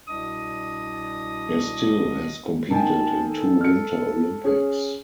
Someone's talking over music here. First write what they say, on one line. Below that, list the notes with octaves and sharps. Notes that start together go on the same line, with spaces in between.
Estil has competed in two Winter Olympics.
C2 B2 D4 D#5 D#6
D#3 G#5 A5
A4
F6 C#7
C#4 G#4